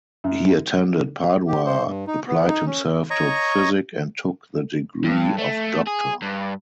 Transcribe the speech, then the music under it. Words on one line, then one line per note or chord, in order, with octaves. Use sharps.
He attended Padua, applied himself to physic, and took the degree of doctor.
F#2
G4
C5
G2
D#4
B3
D#4
C#4
C#5 D#5 A#5 C#6
G2
A3
G#4
G2